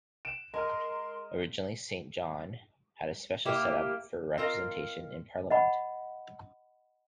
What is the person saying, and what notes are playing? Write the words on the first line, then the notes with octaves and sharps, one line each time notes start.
Originally, Saint John had a special setup for representation in Parliament.
D7 E7
G#3 A#4 D#5 A#5 C6 F6
A#3 E4 G4
C4 F4 A#4 D#5 F5
D#5 F#5 B5